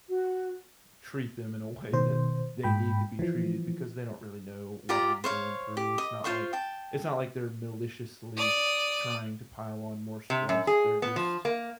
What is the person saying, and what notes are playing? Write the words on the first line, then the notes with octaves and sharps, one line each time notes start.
treat them in a way that they need to be treated because they don't really know what I'm going through. It's not like it's not like they're maliciously trying to pile on more stress. They're just
F#4
B2 D#3 C5
G#2 G5 B5
E3 F3
F4 G4 D5 A#5
C5 C#5 F5
G4
D#5
F4 C5 F5 C#6
G5 A5
D5 D#6
C3
F#2
G#4
B3
F3
A#3